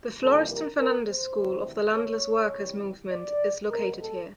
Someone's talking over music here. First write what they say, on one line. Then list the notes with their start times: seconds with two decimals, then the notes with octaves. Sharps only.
The Florestan Fernandes School of the Landless Workers' Movement is located here.
0.21 F2 C3 E3 G3 A#3 A4
0.50 A#4
0.79 A#4
1.08 C5
1.36 D2 C3 E3
1.95 C#5
2.53 C3 E3 G3
3.11 D5
3.69 B2 G#3 B3 A#4
3.99 A4